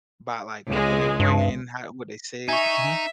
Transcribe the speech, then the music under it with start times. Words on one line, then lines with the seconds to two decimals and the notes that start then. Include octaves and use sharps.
by, like, what they wearing, how what they say mhm.
0.69 C#2 G#3
1.20 G2
2.48 D#4 E5 G#5 C#6